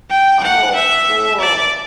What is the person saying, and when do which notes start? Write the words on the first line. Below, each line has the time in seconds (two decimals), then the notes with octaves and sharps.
Oh, cool!
0.11 G5
0.43 F#5
0.75 E5
1.40 D5